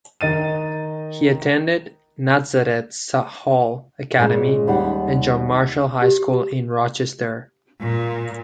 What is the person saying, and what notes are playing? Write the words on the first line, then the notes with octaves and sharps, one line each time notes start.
He attended Nazareth Hall Academy and John Marshall High School in Rochester.
D#3 D#5 A6 D#7
A#2 C#3 G#3
D#2 G3 F#5
G4
A#2